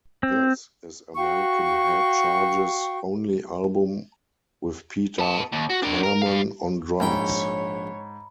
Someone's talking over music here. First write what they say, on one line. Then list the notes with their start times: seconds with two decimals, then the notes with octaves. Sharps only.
This is American Head Charge's only album with Peter Harmon on drums.
0.23 C4
1.16 F#4 F5 G5 C#6
5.19 B3 A5
5.53 D#2
5.70 F#4
5.83 D4 A#4
6.03 A#4
6.22 G3 F5
7.00 A#1 G#2 C#5 G5 A#5 B5